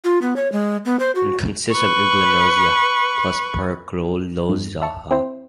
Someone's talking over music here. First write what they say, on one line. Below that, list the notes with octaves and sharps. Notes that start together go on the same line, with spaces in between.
It consists of Euglenozoa plus Percolozoa.
F4
B3
C#5
G#3
B3
C5
F#4
B4 C#6
G2
E5 A5 C#6 E6
C4 E4 C5